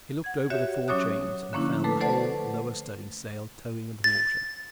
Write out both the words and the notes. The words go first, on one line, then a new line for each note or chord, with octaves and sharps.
He looked over the fore chains, and found the whole lower studding-sail towing in the water.
F#5 G#6
F#4 G4 C#5 E5
F#3 C#4 C#5 D6 D#6 F#6
D3 F3 A#3 C#4 D4 E4
A3 A4 B4 D6
A4 B4 C5 D5 F#5 A5
A6